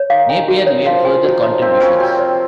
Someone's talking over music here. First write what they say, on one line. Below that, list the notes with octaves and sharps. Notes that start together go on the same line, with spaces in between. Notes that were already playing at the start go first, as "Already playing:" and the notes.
Napier made further contributions.
Already playing: C#5
D#3 F5
G#5
F#4
C#5
F3 F5
G#5
D#3 F#4
F3 C#5
C3 C4 F5
C#3 C#4 G#5
C3 C4 F#4
C#5